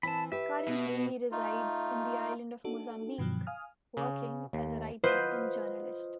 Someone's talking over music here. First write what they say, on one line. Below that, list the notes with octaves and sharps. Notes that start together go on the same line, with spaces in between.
Currently he resides in the Island of Mozambique, working as a writer and journalist.
E3 C4 A5 B5
G4 B4 E5
B2
A3 D#4 F4
D4 D#4 F#4 A4
G2 B2 D#3 F3 F#3
F5 G#5 D#6 F6
C#3
D#2
F4 B4 C5 D#5 F#5